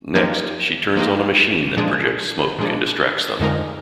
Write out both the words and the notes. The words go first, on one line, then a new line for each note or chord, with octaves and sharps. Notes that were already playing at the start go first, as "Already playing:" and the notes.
Next, she turns on a machine that projects smoke and distracts them.
F3 A#3 D#4 G4
F3 A#3 D#4 G4
A#2 F3 G#3 D4 G#4
A#2 F3 G#3 D4 G#4
F2 D3 G#3 D#4 A#4